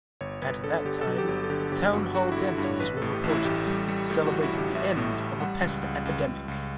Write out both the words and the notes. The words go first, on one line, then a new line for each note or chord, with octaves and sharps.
At that time "town-hall dances" were reported, celebrating the end of a pest epidemic.
G1 C#5
G1 B4
D3 A4
D3 G4
A4
F#3
G4
G1
A4
D3 G4
G1 G4
G2 F#4
D3 F#4
D3 E4
E4
G2
C#5
A1 B4
A2 A4
G4
A1
E4
A1 G4
G3
G3
A2 G4
F#4
A1
E4
A1 G4
A1 E5
A2
A1
G3 F#5
C#2
C#2
C#2
C#2
C#2